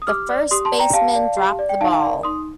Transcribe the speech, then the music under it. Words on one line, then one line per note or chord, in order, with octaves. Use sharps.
The first baseman dropped the ball.
D#6
G4 D6 F6
D5
G4 C6 D#6
A5 C6
D5
G5 A#5
G4 F5 A5
D5
G4
D5
G5
D#4 F5 A5
A#4 D5
D#4 C6 D#6